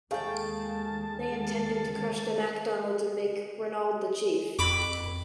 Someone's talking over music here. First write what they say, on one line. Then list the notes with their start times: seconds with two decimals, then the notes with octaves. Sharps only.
They intended to crush the MacDonalds and make Ranald the chief.
0.11 D#2 D#3 G#3 A3 G#4 F5 G5 A5
4.59 F2 B5 D6